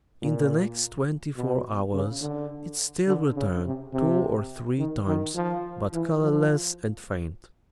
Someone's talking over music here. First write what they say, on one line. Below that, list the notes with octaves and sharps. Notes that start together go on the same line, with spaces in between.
In the next twenty-four hours, it still returned two or three times, but colorless and faint.
A#2
B2
C#3
D3
D3
C#3
C3
C3
D#3
D#3
F3
E3
F3